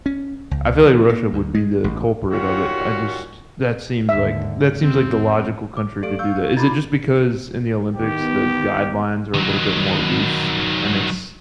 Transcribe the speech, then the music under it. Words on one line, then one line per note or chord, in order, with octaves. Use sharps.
I feel like Russia would be the culprit of it. I just that seems like that seems like the logical country to do that. Is it just because in the Olympics, the guidelines are a little bit more loose, and it's
C#4
C#2
E3
A#3
D2
G#3
A1
D#3 G3 C#4 F4 F#4
D#2 G#2 D3 E5
G#1 F2 C4
D6
A3 G4 A4 D5 F5 D7
F5 C#6 E6 G6
D#4 F4 A#5 B5 D6 G#6 A6
D#3 B3 G4
D#3 F#3